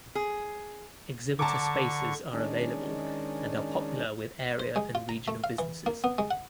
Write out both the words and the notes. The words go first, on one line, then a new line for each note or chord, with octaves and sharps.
Exhibitor spaces are available and are popular with area and regional businesses.
G#4
D3 A5 A#5 C#6 D6
D#3 G#3 C#4 D4
C5
G#3
F4
A#5
A3
F5
E3
A#3
B3
G#3
F#5